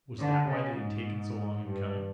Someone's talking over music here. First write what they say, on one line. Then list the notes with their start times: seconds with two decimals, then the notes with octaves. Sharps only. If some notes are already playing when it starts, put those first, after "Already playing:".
Was that why they had taken so long in coming?
0.19 D3
0.48 C#3
0.77 G#2
1.64 G2